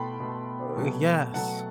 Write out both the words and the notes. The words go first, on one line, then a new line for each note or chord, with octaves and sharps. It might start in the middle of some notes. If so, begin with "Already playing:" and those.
Oh, yes,
Already playing: B2 A3 G5 A5 B5 C6
B2 A3
B2 F#3 A3
B2 F#3 A3 F#5 A5